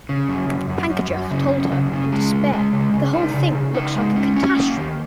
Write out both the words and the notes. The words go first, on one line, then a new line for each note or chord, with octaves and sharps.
Pankejeff told her, in despair, the whole thing looks like a catastrophe.
C#3
F#2
F#2
F#2
F#2
F#2
C#3
F#2
C#3
C#3
G#3
C#3
G#3
C#3
C#3
D#4
C#3
C#3
D#4
G#3
C#4
C#4
A#3
D#3